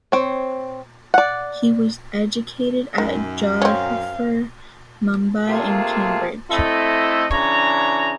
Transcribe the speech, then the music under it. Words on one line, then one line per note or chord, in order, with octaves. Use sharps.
He was educated at Jodhpur, Mumbai and Cambridge.
C4 C#5
D5 F#5
F#2 D#3
C4 C#4 F5
C3 A3 A#3 F4 G#4 A5
A3 C4 E4 A4 D#5
C#3 E3 D4 C#5 A#5